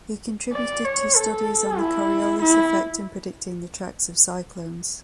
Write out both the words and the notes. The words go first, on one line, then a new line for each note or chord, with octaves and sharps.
He contributed to studies on the Coriolis effect in predicting the tracks of cyclones.
D5
C#5
A4
E4
E4